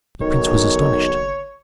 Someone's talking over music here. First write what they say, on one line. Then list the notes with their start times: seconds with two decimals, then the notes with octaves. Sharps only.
The prince was astonished.
0.21 F#1 B1 D#3 C#5